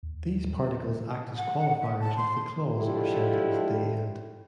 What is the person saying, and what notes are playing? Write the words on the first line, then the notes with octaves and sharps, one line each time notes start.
These particles act as qualifiers of the clause or sentence they end.
D#2
F#5
E5
A5
C6
D3 F3 G#3 E4 G4 A4